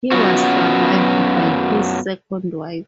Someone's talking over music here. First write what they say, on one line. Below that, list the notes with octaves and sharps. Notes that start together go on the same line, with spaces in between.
He was survived by his second wife.
F#2 C#3 F#3 B3 F4 F#4